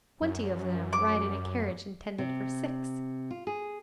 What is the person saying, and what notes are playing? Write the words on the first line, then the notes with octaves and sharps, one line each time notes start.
Twenty of them ride in a carriage intended for six.
F#2
D6
C3
F4
G#4